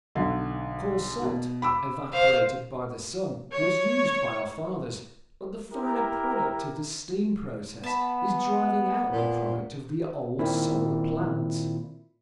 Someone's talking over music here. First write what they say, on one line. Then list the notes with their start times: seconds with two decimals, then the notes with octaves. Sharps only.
Coarse salt, evaporated by the sun, was used by our fathers, but the finer product of the steam process is driving out the product of the old solar plants.
0.15 B1 D3
1.22 B2
1.62 B5 D6 E6
2.13 C5 F5
3.52 C#5
5.72 E4 G4 A#4
7.84 B3 A5 B5
9.09 A#2
10.39 A#2 D#3 C4 E4